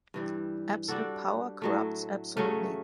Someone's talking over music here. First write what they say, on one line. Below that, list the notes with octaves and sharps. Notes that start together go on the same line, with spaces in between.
Absolute power corrupts absolutely.
G2 E3 G3
G3 D4 F#4 A4
A2 F#3 A3
C#3 F#3 A3 C#4